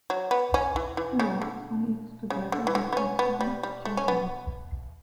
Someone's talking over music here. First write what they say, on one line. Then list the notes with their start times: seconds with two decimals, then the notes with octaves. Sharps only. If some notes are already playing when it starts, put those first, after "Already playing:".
He worked on it together with his son Giovanni.
0.10 F#3
0.31 B3
0.54 C#4
0.76 E3
0.97 E3
1.19 C#3
1.42 D3
2.30 C#3
2.52 D3
2.67 E3
2.75 D3
2.93 B3
2.97 C#4
3.19 B3
3.41 G3
3.63 G3
3.85 A3
3.97 C#4
4.08 B3